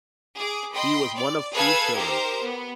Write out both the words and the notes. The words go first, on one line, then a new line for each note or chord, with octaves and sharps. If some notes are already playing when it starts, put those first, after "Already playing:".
He was one of three children.
G#4 D6
D#5 G5 B5 C6
D5
G#4 A4 B4 F5 G#6
D#4 G4 A#4 C5
B3